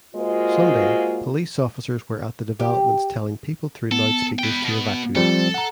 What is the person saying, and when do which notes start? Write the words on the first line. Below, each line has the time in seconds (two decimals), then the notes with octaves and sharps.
Sunday, police officers were at the developments telling people through loudspeakers to evacuate.
0.14 G#3 A#3 F4 F#4 C5 D#5
2.60 G4
3.92 B3 A4
4.39 B4 G5
4.65 B2
5.16 F3 G3 C4 A4
5.54 F#5 A#5